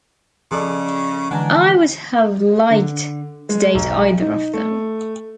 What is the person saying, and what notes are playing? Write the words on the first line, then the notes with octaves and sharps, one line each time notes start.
I would have liked to date either of them.
C#3 F3 G#4 A4 D5 D#5
D3 E3 G#3 D4 F#5 G#5 A#5
D3
G#3
B1
D#4
A3